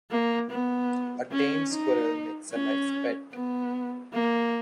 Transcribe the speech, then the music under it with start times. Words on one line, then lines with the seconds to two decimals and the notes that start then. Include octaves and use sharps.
A tame squirrel makes a nice pet.
0.11 A#3
0.50 B3
1.31 C#4
1.71 D#4
2.52 C#4
3.33 B3
4.13 A#3